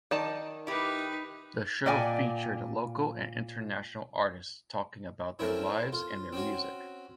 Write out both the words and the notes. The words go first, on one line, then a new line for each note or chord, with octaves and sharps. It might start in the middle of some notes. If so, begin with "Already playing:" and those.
The show featured local and international artists talking about their lives and their music.
D#3 D#4 D5 A5
D#4 E4 G4 B4
A#2 D5 G5 G#5
A3 A#3 C4 C#4 E4
F4
C4 C#4 F#4